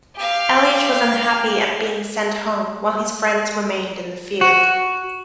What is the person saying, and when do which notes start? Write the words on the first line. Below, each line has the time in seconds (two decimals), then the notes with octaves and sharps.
Elliott was unhappy at being sent home while his friends remained in the field.
0.15 G4 F5
4.41 F#4